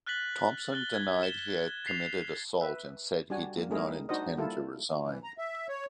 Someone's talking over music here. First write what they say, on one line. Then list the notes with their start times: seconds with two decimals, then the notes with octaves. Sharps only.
Thompson denied he had committed assault and said he did not intend to resign.
0.06 F6 F#6 A6 B6 F#7
0.73 F#6 A6 G7
0.94 G#6
1.23 E7 G7
1.84 A6 B6 C7 F7
2.61 B4 E5
3.30 G3 D4 F#4 G#5
3.58 A#3
3.71 G3 A3 D#4 E4 G#4 A#4
4.09 D4 D#4 F#4 C5 D#5
4.37 G3 A#3 E4 F4 A4
5.01 E3
5.24 A#5
5.38 E5
5.69 C#5